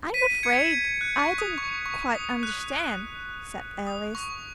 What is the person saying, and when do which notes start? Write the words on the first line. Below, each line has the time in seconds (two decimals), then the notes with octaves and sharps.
'I'm afraid I don't quite understand,' said Alice.
0.14 B6 D#7
0.43 G#6 C#7
0.71 G#6
1.01 F#6
1.19 C#6
1.38 D#6
1.58 C#6
1.86 C#6
2.15 D#6
2.43 F#6
3.87 D#6
4.15 C#6